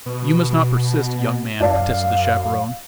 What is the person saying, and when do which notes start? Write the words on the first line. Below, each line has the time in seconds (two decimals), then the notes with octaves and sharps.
"You must not persist, young man," protested the chaperone.
0.06 B2
1.60 F#2 D5 F5 A5